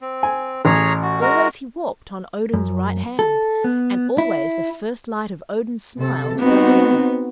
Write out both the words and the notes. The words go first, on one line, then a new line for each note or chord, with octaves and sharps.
Always he walked on Odin's right hand, and always the first light of Odin's smile fell on him.
C4
G#5
A1 G#4 C#5 A#5
F#4
G#3 F#4 A#4
F#2
A4
B3
E4
C3 A4
B3 C4 D#4 F#4